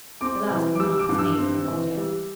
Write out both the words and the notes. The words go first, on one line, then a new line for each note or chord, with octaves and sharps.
The last remark was made with an object.
C4 D6
E3
D6
G3 E6
D6
G2
E6
C4
E3
G3